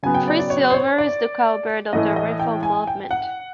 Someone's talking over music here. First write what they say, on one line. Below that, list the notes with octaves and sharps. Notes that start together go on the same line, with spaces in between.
Free silver is the cow-bird of the reform movement.
C#3 F#3 B3 G#5
G5
D5
D5
C#5
C5
C#5
D5
A2 E3 A3 D#5
D#5
G5
G#5
G5
F#5